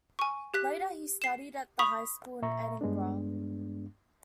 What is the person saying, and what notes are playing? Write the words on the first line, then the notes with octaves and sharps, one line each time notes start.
Later he studied at the High School in Edinburgh.
G#5 C#6
G4 F#6 B6
C7 E7
B5 C#6 D#6 B6 F7
A#2 E5 A#5 C#6
G2 G#3 B3 D4